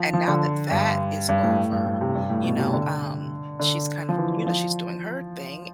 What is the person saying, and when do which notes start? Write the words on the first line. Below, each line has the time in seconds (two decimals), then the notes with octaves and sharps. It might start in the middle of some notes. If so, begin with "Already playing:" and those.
And now that that is over, you know, um, she's kind of, you know, she's doing her thing.
Already playing: F3
0.13 F3
0.27 D3
0.71 G2
1.29 G2
1.43 A2
1.58 A2
1.72 G2
1.86 A2
2.01 C3
2.15 G2
2.30 A2
2.44 B2
2.59 C3
2.73 D3
3.60 D3
4.09 F3
4.18 E3
4.47 F3